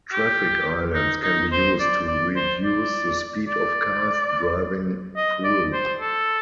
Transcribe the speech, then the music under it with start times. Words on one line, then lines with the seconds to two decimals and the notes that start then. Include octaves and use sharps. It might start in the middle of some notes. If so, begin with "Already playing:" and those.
Traffic islands can be used to reduce the speed of cars driving through.
0.12 G4
0.95 D#4
1.23 D#4
1.52 C5
1.80 D5
2.08 D5
2.36 C5
2.64 D5
3.48 D5
5.16 D#5
5.44 D5
5.73 C5
6.00 A4